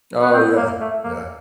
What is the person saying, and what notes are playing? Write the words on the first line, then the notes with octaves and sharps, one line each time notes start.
Oh yeah, yeah.
B3
C4
A#3
A3
A#3